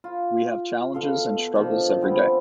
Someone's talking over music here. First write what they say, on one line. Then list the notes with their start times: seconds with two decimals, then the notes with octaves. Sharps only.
We have challenges and struggles every day.
0.04 F4
0.94 B2 A4 F5 C6
1.55 D#3 F3 D4 A4
2.02 F3 B3 C4